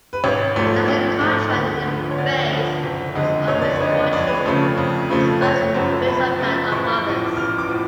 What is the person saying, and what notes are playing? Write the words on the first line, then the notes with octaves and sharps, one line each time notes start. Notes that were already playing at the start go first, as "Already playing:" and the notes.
He doesn’t contract in the face of his own misfortune, and expands in the face of that of others.
B4
G#1 C#5
G#2 F3 A3
G#1
G#2 F3 A3
D2
D3 F3 B3
C#5
D2 D5
D3 F3 B3
F#1
F2 D3 G#3
F#1 C#5
D5
C#5
F2 D3 G#3
F2 D5
C#5
B4
C#5
C#3 F3 A3
F2
C#3 F3 A3
F#1 C#5
F#2 F3 B3
F#1 B5
F#2 F3 B3
A1 C#6
B5
C#6
A2 F3 B3
D6
A1 F6
D6
A2 F3 B3